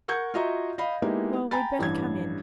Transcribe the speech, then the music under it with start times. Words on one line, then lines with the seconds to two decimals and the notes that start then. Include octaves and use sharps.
Well, we'd better come in.
0.08 A#4 F#5 C#6 G6 G#6
0.34 F4 F#4 D#5 E5 A#5 C#6
0.78 D#5 F5 B5
1.02 G#3 A#3 B3 D#4 E4 G4
1.51 G5 G#5 A#5 B5 A6
1.79 A1 G2 E3 G#6